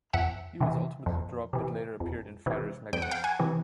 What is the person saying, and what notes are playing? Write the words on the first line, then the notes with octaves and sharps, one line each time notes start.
He was ultimately dropped, but later appeared in "Fighters Megamix".
F2 E5 F#5
C3 E3
F2
C3 E3
F2
C3 E3
F2 G5
F#5
F5 G5
F#5 G#5
C3 E3